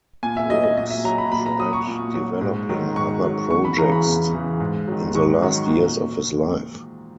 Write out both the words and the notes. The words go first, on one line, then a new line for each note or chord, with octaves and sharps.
Brooks tried developing other projects in the last years of his life.
A#2 G#5
E5
F#3 D#5
D#5
A#2 D#5
E5
F#3 A#5
B5
A#2 B5
A#5
F#3 D#6
C#6
A#2
F#3
G#2
D#3 F#3
G#2 C#6
D#3 F#3
E2 C#6
B5
C#3 E3 A#5
B5
E2
C#3 E3
G#2
D#3 F#3
G#2 C#6
D#3 F#3
A#2